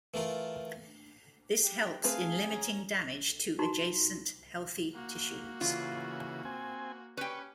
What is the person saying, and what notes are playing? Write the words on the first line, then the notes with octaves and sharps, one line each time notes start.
This helps in limiting damage to adjacent healthy tissues.
E3 A3 F4 A#4
G4
A3 C4 G#4 B4 F5
C#4 A#5
D#4 F#4 A#5 C6
A#3 F#4
C#3 E3 F4
C4 G#5
C#4 G4 B4 G5 C#6